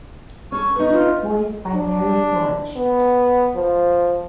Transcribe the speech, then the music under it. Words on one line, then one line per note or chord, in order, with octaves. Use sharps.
He was voiced by Larry Storch.
C#4 A4 C#6
B3 D#4
F4
D4
B3
F3